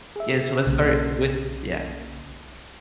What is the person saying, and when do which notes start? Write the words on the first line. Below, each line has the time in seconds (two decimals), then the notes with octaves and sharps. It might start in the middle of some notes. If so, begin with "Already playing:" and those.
Yeah, so let's start with yeah.
0.16 G#4 E5
0.66 B1 C#3 A#3